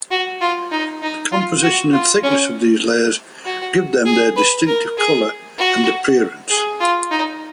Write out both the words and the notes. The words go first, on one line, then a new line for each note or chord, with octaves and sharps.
The composition and thickness of these layers give them their distinctive color and appearance.
F#4
F4
D#4
D#4
F4
F#4
F4
C#4
F#4
G#4
B4
A#4
G#4
F#4
G#4
F4
D#4